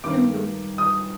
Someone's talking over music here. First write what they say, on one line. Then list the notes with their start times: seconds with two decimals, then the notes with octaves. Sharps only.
And th
0.04 G2 D#3 D6
0.78 D#6